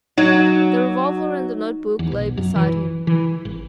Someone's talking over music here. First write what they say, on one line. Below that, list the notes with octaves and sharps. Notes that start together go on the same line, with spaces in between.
The revolver and the notebook lay beside him.
F#3 D#4
E2
B1
F#2
E3
E3
G#1